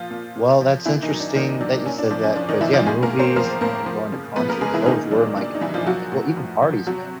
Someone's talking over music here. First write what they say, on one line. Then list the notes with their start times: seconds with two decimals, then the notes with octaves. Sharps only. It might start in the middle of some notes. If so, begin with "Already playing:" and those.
Well, that's interesting that you said that, 'cause, yeah, movies and going to concerts, those were my community, but well, even parties, man.
Already playing: A#2 F3 F4
0.11 A#2
0.36 A#2
0.61 F3
0.85 A#2 E3 E4
1.03 D#3 D#4
1.11 F#3
1.20 D4
1.35 A#2 D#3 D#4
1.61 F#3 D4
1.86 A#2 C#4
1.98 D4
2.11 F3 D4
2.24 C#4
2.35 F3 D4
2.49 D#3 D#4
2.61 E3 F3 E4
2.73 F3 F4
2.86 A2 G#3 G#4
3.02 A#3 A#4
3.11 A2
3.19 C4 C5
3.36 F3 A#3 A#4
3.61 A2 A#3 A#4
3.86 F3
4.12 C#3
4.36 F3 B3 B4
4.49 A#3 A#4
4.61 C#3 G#3 G#4
4.74 E3 E4
4.86 A#2 D#3 D#4
5.11 F#3 D4
5.36 A#2 D4
5.55 D#4
5.61 A#2 E3 E4
5.74 F3 F4
5.86 F3 F#3 F#4
6.12 A2
6.37 F3
6.62 F3
6.87 C3 F#3 F#4